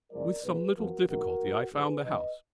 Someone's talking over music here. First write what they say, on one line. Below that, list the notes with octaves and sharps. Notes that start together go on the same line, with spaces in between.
With some little difficulty I found the house.
F#1 F#2 F3 G#3 A#4 D5
B1 B2 F#3 A#3 G#4 B4
F2 F3 B3 F#4 A#4
A#1 G#2 D#3 F#4 A#4
A#1 G#2 F3
G#1 G#2 F#3 G#4 B4
D#2 D3 F#3 B4 D#5